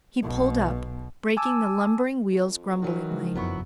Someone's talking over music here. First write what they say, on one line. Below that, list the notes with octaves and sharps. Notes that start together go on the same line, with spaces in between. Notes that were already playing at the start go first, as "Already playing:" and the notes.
He pulled up, braking the lumbering wheels grumblingly.
B1 B2
G#5 A5 D6 E6
F2
D#3 E3 F#3 F#4
C#3 F3 G#3
F1 F#2 F3 F#3 B3 E4 C#6